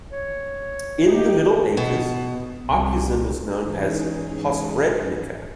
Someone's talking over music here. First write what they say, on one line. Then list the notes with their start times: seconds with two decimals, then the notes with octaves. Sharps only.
In the Middle Ages, Opuzen was known as Posrednica.
0.12 C#5
1.07 D#4 G4
1.77 B2
2.65 C2 G3
3.62 G#2 E3 C#4 D#4 G#4